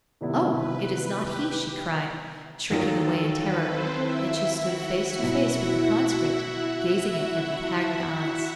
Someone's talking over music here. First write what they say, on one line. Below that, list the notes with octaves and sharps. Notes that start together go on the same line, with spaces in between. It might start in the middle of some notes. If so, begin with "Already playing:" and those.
"Oh! it is not he!" she cried, shrinking away in terror, and she stood face to face with the conscript, gazing at him with haggard eyes.
C3 D#3 G3 B3 E4
B4
G4 G5
D#2 D#3 F#3 A4
B4
C4 C5
E4 E5
F#4 F#5
F#4 F#5
B2 F#3 B3 E4